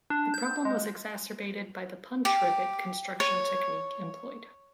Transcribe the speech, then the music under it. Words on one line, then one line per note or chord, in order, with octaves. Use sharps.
The problem was exacerbated by the punch rivet construction technique employed.
D4
G6
G#3
G4
C#5